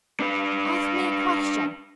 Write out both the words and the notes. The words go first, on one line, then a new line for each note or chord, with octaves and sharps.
"Ask me a question."
D4 B4